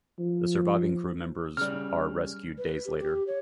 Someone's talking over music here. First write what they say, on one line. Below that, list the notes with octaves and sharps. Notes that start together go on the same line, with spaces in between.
The surviving crew members are rescued days later.
F3
C#3 G3 F6
B4
G4
G4
C#5